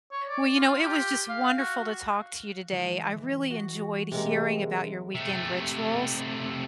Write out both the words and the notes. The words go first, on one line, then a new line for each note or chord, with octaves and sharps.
Well, you know, it was just wonderful to talk to you today, I really enjoyed hearing about your weekend rituals,
C#5
D5
F4
G4
F5
F#4
E3 G#3
E3
F#4
C3 G#3 A#3
C3 A3